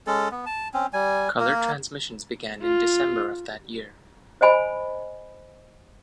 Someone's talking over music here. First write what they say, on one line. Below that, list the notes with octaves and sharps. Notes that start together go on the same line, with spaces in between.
Color transmissions began in December of that year.
G#3 C#4 A4
B3
A5
C4 C#4
G3 G#5
A#3 A#4
F4
C5 D#5 G#5 B5